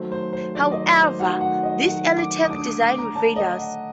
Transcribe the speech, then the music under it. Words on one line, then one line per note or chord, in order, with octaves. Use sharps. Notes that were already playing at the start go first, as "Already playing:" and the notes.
However, these early tank designs were failures.
Already playing: D#3 F#3 A3 C5
C5
C5
D#3 F#3 A3 D5
D#5
D5
C5
D#3 F#3 A3 F#5
F#5
D#5
D#3 F#3 A3 F#5
D6
D#6
D3 A3 D4 D6
D#6
D6
A#5
D3 A3 D4 A5
D#5
F#5